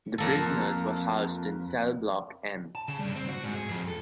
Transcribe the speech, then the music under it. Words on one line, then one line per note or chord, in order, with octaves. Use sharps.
The prisoners were housed in cell block M.
F2 A#3 A4
A5
C#3
G2
C4
F#4
G#2
G#4
F2
A4